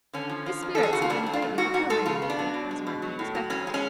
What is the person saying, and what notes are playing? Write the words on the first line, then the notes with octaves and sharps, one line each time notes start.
His spirits had been greatly recovering lately as might be expected.
D3 C#4
F3
F3
F2
A4
F2
G#4
C#3 F#4
F4
F2 D4
A3
F4
F2
G#2 F#4
G#2 F#4
G#3 A4
C#3 F4
B3
D4
F#3
B2
G#3
B2
F#3
A2
F#3
F2 C#4
G#3
C#4